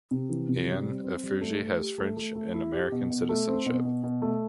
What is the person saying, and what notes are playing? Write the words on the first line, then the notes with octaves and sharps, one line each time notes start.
Anne Ephrussi has French and American citizenship.
C3
E3
C3
G3
C4
C4
G3
A3
A3
G4
A3
A3
A3
E4
G4
B2
B2
A3
C4
B2
B2
B2
A3